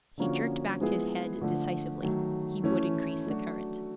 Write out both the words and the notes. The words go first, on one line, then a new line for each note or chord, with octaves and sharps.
He jerked back his head decisively; he would increase the current.
D3 F3 A#3 C#4 F#4
F3 G#3 B3 E4 G#4
D3 F3 A3
D#3 F#3 A3
E3 A3 C#4 E4
F#3 A3 D4 F#4